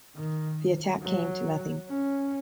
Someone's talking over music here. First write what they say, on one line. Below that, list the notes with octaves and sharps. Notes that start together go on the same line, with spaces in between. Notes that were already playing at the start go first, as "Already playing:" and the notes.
The attack came to nothing.
D#3
F#3
C#4